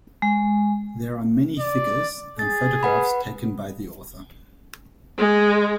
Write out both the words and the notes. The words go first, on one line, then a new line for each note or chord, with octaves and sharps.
There are many figures, and photographs taken by the author.
G#3
D5
G#4 A6
B4 F#5 B5
G#3